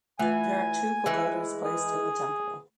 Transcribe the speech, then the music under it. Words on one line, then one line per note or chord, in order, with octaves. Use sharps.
There are two pagodas placed in the temple.
E3 A3 F4 B4 G#5
E3 G#3
G#4